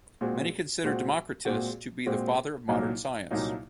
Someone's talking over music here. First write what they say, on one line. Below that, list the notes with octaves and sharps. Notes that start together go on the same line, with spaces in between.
Many consider Democritus to be the "father of modern science".
A#2 G#3 C4 F#4
A#2 G#3 C4 F#4
A#2 G#3 C4 F#4
A#2 G#3 C4 F#4
C2 A#2 F#3 A#3 D#4
C2 A#2 F#3 A#3 D#4